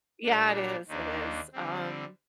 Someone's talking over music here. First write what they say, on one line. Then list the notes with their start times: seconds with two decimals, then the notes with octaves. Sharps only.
Yeah, it is, it is, um,
0.24 A#2 G3 D4
0.88 D#2 D#3 A#3 D4
1.53 D3 G3 C4